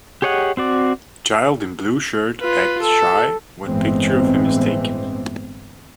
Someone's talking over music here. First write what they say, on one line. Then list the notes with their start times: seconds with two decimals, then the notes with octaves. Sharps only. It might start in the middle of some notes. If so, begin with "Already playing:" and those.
Child in blue shirt acts shy when picture of him is taken.
0.22 G4 G#4 C#5 D#5 F#5
0.57 C4 F#4 D5
2.41 F4 B4
2.81 A4
3.64 G1 A2 E3 G#3 B3 C4